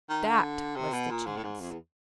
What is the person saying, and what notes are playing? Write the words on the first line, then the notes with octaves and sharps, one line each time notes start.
THAT was the chance!
D#3
D3
C3
B2
A#2
G#2
A2
G#2
F2
E2